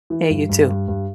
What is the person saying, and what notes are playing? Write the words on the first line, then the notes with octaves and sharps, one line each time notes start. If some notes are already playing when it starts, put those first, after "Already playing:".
Hey, you too.
E3
G2
G2
G2
G2